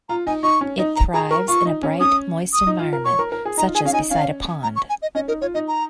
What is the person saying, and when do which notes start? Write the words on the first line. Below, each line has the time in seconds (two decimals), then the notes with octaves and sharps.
It thrives in a bright, moist environment, such as beside a pond.
0.09 F4 A#5
0.27 D#4 G#5
0.43 D#4 C#6
0.61 C#4
0.79 D#4
0.96 A#5
1.14 G#4 A#5
1.31 A#4 C#6
1.48 F4 C#6
1.65 D#4
1.83 C#4
2.00 C#4 D#6
2.53 D#6
2.67 D#4
2.79 F4
2.93 A#4
3.05 C#5 C#6
3.19 A#4
3.32 A#4
3.45 G#4
3.57 D#4 A#5
3.67 F4
3.75 G#4 G#5
3.85 C#4 F5
3.93 D#4 G#5
4.10 C#4 F5
4.63 A#5
4.76 C#6
4.90 G#5
5.02 D#5
5.15 C#4 D#5
5.28 D#4 A#4
5.41 F4 C#5
5.54 D#4 D#5
5.68 A#5